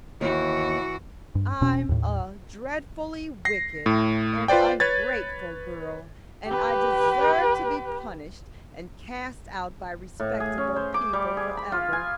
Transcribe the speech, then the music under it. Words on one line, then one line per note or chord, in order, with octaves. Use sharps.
I'm a dreadfully wicked and ungrateful girl, and I deserve to be punished and cast out by respectable people forever.
D#2 E3 F#4
G2
E1 B2 C#4
D#2 A2
A#6 C7
A2
F4 B4 C5 D5 G5
B4 C#5 G#6 A6
G4 B4
A2
G#4
C#4
C5
D6
G3
G#4
B5
F4
G#5